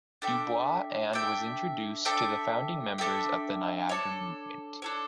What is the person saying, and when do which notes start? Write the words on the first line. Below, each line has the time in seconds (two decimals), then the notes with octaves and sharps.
Du Bois and was introduced to the founding members of the Niagara Movement.
0.22 D4 A4 E5 G5
1.13 D4 A4 E5 G5
2.05 D4 A4 E5 G5
2.98 D4 A4 E5 G5
3.89 D4 A4 C#5
4.82 D4 A4 C#5